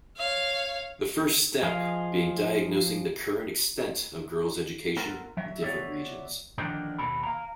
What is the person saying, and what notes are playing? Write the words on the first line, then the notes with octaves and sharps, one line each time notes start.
The first step being diagnosing the current extent of girls' education in different regions.
C#5 F5
F3 G#4 D#5 F5
B3 F4 A4 A#4
F#3 E5
B3 C#5 D5 E5
D3 D#3 F3 A#3 D4 D#4
D#2 B2 A4 B5
F5 A#5